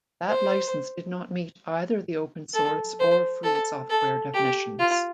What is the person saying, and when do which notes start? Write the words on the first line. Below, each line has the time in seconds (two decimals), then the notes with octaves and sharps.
That license did not meet either the open source or free software definitions.
0.29 C5
2.54 A4
3.00 C5
3.44 A4
3.90 A4
4.34 G4
4.79 F4